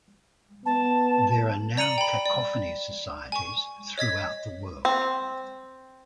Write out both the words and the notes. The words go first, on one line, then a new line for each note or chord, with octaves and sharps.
There are now Cacophony Societies throughout the world.
B3 A5
D5 A#5 C#7 D#7 F#7
G5 B5
D5
G#5 C#6
C#5 D#5 G#6 B6
C4